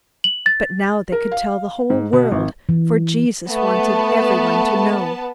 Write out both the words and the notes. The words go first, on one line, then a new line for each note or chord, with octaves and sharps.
But now they could tell the whole world, for Jesus wanted everyone to know.
F#7
A6
A#4
F5
G#2
B2
G#1
E3
A3 B3 A5